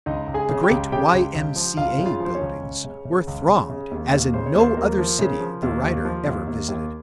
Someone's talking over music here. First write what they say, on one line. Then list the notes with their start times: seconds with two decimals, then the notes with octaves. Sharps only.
The great Y. M. C. A. buildings were thronged as in no other city the writer ever visited.
0.06 C#2 D#4 D#5
0.27 C#2
0.34 G#4 G#5
0.49 C#3
0.63 G4 G5
0.71 C#2
0.92 C#3 G4 G5
1.13 C#2
1.34 C#2
1.56 F3
1.77 C#2 F4 F5
1.98 C#3
2.06 F4 F5
2.20 F3
2.25 C5
2.34 C#4 C#5
2.42 C#2
2.63 C#2
2.85 C#3
3.05 C#3
3.27 C#2
3.48 C#3
3.70 C#3
3.91 D#2
4.12 D#2
4.34 C#3 C5
4.46 C#5
4.55 D#2 C5
4.77 D#2 A#4
4.98 F3
5.19 C#3
5.40 F3
5.62 D#2
5.83 D#2
6.05 F3
6.26 D#2
6.47 D#2
6.68 D#2